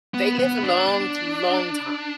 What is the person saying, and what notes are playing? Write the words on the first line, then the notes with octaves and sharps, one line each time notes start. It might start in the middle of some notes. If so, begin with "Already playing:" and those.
They live a long, long time.
B3
B3
D4
D4